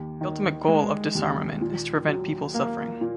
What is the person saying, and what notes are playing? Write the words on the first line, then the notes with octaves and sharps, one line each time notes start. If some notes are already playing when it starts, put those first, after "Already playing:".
The ultimate goal of disarmament is to prevent people suffering.
Already playing: D#2
D#3
G#3
D#2
A#2
F#3
A#3
A#2